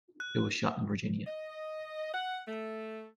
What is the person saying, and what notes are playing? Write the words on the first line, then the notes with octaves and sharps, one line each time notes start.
It was shot in Virginia.
F#6
D#5
F#5
A3